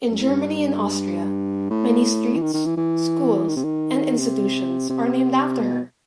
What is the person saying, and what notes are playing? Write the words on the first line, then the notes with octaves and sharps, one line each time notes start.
In Germany and Austria, many streets, schools and institutions are named after her.
F#2
A2
G2
A2
E3
D#3
D#3
E3
E3
D#3
C3
D#3
C3
C3
B2